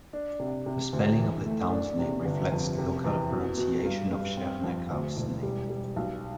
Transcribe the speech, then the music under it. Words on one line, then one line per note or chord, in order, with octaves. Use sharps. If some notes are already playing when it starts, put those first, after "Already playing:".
The spelling of the town's name reflects local pronunciation of Scherneckau's name.
D4
C3
C3
D2
E3
A3
D4
C3
G1
F2
C3
E2
B2
B2
G2
G2
C4
F2
D2
E1
G3
G3
B1